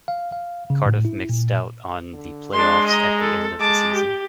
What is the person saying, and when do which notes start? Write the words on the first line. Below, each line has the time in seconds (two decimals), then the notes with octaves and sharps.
Cardiff missed out on the play-offs at the end of the season.
0.08 F5
0.32 F5
0.70 C#3
0.86 A2
1.05 E4
1.29 A#2
2.13 D3
2.53 G#3 D4 C6
2.87 D#5 A#5
3.21 A4
3.60 G#3 A5 D6
3.93 G4